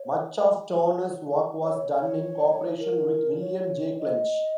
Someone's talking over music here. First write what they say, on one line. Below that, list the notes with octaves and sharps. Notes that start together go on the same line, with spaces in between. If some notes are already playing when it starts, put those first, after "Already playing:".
Much of Turner's work was done in co-operation with William J. Clench.
Already playing: C#5
C#5
C#5
A#4
C#5
D#5